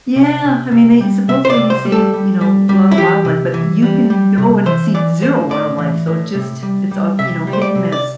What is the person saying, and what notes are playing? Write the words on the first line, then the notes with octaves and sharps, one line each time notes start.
Yeah. I mean, they supposedly, you see, you know, a lot of wildlife, but you can go and see zero wildlife, so just it's, uh, you know, hit and miss.
C3
C3
C3
G3
C3 E5
C5
D5
C3
C5
G3
A4
G3
G3
G3
E4
E3 G4
C3
E3
G3
G3
C3
E3 C5
E3 D5
A2 C5
A2 D5
E3
A2
C3
G3
G3
C3 E5
G3
C5
D5
C3
D5